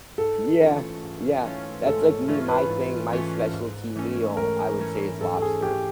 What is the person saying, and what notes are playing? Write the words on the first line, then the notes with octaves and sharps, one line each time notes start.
Yeah, yeah. That's like me, my thing- my specialty meal- I would say, is lobster.
G#2 A4
E3 A3 C#4 F4
G#2
E3 A3 C#4 F4
G#2 A4
E3 A3 C#4 F4
B4
G#2
E3 A3 C#4 F4
G#2
E3 A3 C#4
G#2 A#4
E3 A3 C#4
G#2 A4
A4
G#4
E3 A3 C#4 G4